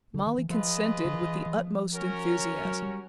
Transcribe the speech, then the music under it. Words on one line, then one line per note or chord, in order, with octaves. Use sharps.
Molly consented with the utmost enthusiasm.
D3
D#3
E3
F3 F4 G#4 B4 D#5
D3
D#3
E3
E3
F3
C#4 F#4 A#4
F#3
G3